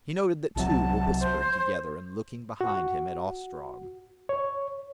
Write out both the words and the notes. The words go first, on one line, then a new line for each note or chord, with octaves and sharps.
He noted that two were whispering together and looking behind him at Ostrog.
C2 C3 F#3 A5
C5
F#4
C#5